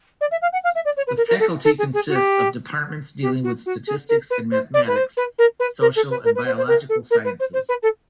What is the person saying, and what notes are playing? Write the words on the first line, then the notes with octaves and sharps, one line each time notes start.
The faculty consists of departments dealing with Statistics and Mathematics, Social and Biological Sciences.
D5
E5
F5
F#5
F5
E5
D5
C#5
B4
A#4
A#4
A4
A4
G#4
G#4
F#4
G4
G4
F#4
F#4
G#4
A#4
B4
C5
D5
B4
C5
B4
A#4
B4
A#4
A4
B4
A#4
B4
C5
C5
A#4
A4
A#4
B4
C5
C5
B4
A4